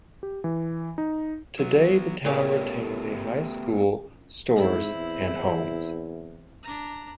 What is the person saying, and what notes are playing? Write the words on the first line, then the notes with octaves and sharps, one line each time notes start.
Today the town retains a high school, stores, and homes.
G4
E3
D#4
F#3 B3
A#2 A3 B3 C#4 G4 F5
G#2 C4 E4
E2
D4 A#5